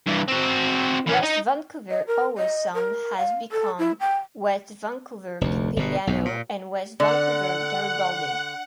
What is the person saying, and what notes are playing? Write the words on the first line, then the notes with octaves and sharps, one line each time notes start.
West Vancouver-Howe Sound has become West Vancouver-Capilano and West Vancouver-Garibaldi.
G2 E3
C4 F#4
E3 C#4
D#4 D#5
D#5
A#4
D#5
A#4
F5
A4
E4
G5
F1 D2
G1 B2
B1 G#2
A#2
D3 D5 F#5